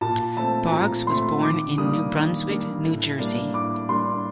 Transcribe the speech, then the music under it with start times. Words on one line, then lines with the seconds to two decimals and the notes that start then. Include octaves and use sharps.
Boggs was born in New Brunswick, New Jersey.
0.01 A#2 A5
0.36 A3 C4 A5
0.72 A#2 A#5
1.07 A3 C4 C6
1.42 D#3 D6
1.78 G3 A#3 D4 D#6
2.13 D#3
2.48 G3 A#3 D4
2.83 A2
3.19 G3 A#3 D4
3.54 A2 D6
3.89 G3 A#3 D4 C6